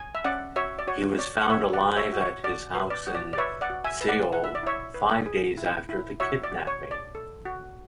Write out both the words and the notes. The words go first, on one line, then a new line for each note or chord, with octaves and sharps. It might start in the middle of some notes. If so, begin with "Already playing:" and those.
He was found alive at his house in Seoul five days after the kidnapping.
Already playing: G#5
E5
C#4 D5 F#5
F#4 C#5 E5
D5
F#4 C#5
C#5 D5
F#5
A4 C#5 E5
D5 F#5
F#4
C#5 E5
F#4
C#5
F#4 D5
B4
D5
F#4
D5
D5
B4 C#5 E5
D5 F#5
F#4
E5 G#5
B4
D5 F#5
E4 F#5
E5
D5
E4 C#5 E5
B4
G#4
E4
E4
F#4 C#5 E5
D5
F#4
C#5
C#5
D5
A4
F#4